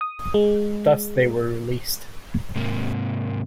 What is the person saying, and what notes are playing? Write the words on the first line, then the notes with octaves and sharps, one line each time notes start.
Thus they were released.
D#6
G#3
G#2 C3 A#3